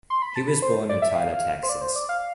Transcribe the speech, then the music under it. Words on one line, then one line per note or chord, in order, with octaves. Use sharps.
He was born in Tyler, Texas.
C6
B5
A5
B5
C5
D5
E5
F5
C5
D5
C5
D5
F5